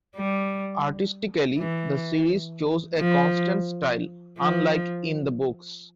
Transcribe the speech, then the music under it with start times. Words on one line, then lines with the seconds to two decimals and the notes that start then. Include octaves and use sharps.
Artistically, the series chose a constant style, unlike in the books.
0.16 G3
1.57 E3
2.98 F3
4.38 F3